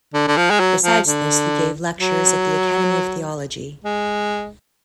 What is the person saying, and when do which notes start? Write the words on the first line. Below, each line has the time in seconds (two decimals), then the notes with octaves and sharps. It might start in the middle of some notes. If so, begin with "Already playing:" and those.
Besides this he gave lectures at the academy of theology.
0.14 D3
0.28 D3
0.37 F3
0.50 G#3
0.60 F#3
0.83 F3
1.06 D3
1.99 F#3
3.84 G#3